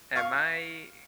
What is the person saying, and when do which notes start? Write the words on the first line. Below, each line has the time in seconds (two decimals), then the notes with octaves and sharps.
am I
0.16 F5 C#6